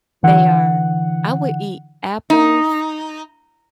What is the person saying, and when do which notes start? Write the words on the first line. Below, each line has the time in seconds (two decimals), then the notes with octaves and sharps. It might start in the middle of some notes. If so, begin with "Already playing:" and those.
They are. I would eat apples,
0.23 D3 E3 F#5
2.30 D#4